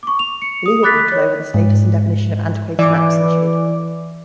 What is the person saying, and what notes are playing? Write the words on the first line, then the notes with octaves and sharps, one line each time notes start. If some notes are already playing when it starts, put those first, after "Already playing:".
A legal battle over the status and definition of "antiquated maps" ensued.
C#6 D6
F7
C#7
D#6
B5 D6 F#6 A6 B6
C#5
G#2
E3 D5 D6